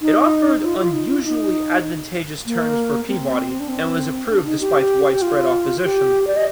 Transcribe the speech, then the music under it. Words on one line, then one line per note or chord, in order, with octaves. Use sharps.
It offered unusually advantageous terms for Peabody and was approved despite widespread opposition.
D#4
F4
F4
D#4
F4
D#4
A#3
C4
D4
C4
D4
D#4
G4
G4
F4
G4
D5
D#5